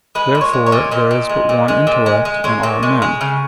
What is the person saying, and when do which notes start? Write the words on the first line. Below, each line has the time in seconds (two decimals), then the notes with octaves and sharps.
Therefore there is but one intellect in all men.
0.15 G#3 B4
0.35 A#2
0.41 C#5
0.53 G#3
0.66 C#5
0.72 A#2
0.91 A#2 D#5
1.11 A#2
1.29 G#3
1.49 A#2
1.68 G#3
1.87 A#2
2.06 G#3
2.25 G#3
2.44 G#3 C#5
2.63 A#2
2.83 G#3
3.02 G#3
3.21 C#3